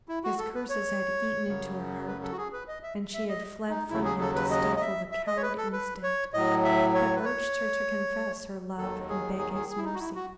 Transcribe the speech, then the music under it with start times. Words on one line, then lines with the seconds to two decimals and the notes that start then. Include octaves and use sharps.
His curses had eaten into her heart, and she had fled from him to stifle the coward instinct that urged her to confess her love and beg his mercy.
0.08 E4
0.24 F#4
0.38 A4
0.55 B4
0.69 C#5
1.46 F#2 C#3 F#3
2.07 B4
2.23 A4
2.32 F#4
2.38 G#4
2.53 B4
2.68 D#5
2.83 E5
3.14 E5
3.28 D#5
3.69 D#4
3.89 D#2 C#3 F#3 E4
4.05 G#4
4.20 A4
4.35 B4
4.50 D#5
4.77 D#5
4.81 E5
5.12 E5
5.27 D#5
5.37 C#5
5.42 B4
5.57 A4
5.73 B4
6.03 C#5
6.34 A2 F#3 D#5
6.64 E5
6.94 C#5
7.16 B4
7.25 C#5
8.78 D#2 D#3 F#3 A4
9.09 G#4
9.39 G#4
9.54 G#4
9.69 G#4
9.77 E4
9.84 D#4
9.94 F#4
9.99 E4
10.15 F#4